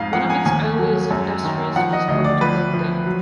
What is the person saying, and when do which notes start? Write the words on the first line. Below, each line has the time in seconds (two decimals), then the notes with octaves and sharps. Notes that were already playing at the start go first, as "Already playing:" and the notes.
One of its earliest industries was boat building.
Already playing: F2 G#2 F5
0.13 F3 F#5
0.30 G#5
0.46 D#2 G#5
0.79 F#3
1.11 F#2
1.43 D#3
1.76 F3 F#5
1.93 D#5
2.08 D2 D#5
2.24 D5
2.41 F3 B4
2.73 F3
3.06 F#3